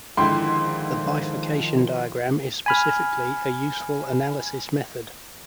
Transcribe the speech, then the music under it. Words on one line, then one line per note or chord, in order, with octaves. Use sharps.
The bifurcation diagram is specifically a useful analysis method.
G#2 D3 D#3 F3 E4 G5 C6
G#5 B5 F6